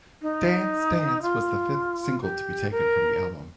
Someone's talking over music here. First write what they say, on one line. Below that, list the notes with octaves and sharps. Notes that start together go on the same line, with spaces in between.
"Dance Dance" was the fifth single to be taken from the album.
D#4
F4
G4
A#4